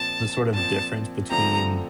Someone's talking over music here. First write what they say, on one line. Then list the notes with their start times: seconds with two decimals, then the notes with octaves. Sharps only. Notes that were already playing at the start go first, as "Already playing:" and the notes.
the sort of difference between
Already playing: A#2 F3 C4 A5
0.54 A#2 F3 C4 A5
1.30 D3 F3 A3 C4 A#5